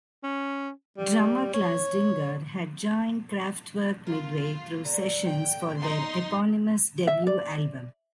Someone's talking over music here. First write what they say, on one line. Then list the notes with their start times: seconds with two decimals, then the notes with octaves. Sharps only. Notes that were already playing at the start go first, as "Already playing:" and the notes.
Drummer Klaus Dinger had joined Kraftwerk midway through sessions for their eponymous debut album.
0.24 C#4
0.98 G3
1.54 C#5
4.07 F4 A#4
4.85 D3 A#5
5.26 G5
5.77 D#4 C6
7.07 E5
7.27 D5